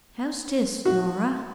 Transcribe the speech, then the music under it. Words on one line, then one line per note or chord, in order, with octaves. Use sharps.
"How's this, Norah?"
F#4